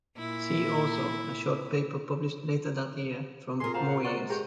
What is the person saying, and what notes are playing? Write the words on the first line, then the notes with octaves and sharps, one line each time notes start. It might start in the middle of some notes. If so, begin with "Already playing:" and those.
See also a short paper published later that year from Mooers.
A#2 E4
A#2 G#4 A#4 G#5 C6
F#4 C5 F5 A5 A#5 C6
F#5
C5 D5 F#5 C6 C#6
G#3
G4 G#4 B4 G5 A#5